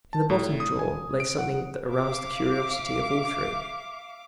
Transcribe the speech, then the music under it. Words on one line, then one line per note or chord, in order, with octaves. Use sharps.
In the bottom drawer lay something that aroused the curiosity of all three.
A5
A2
D#6
G#5
D7
F#5
E5 F5 D6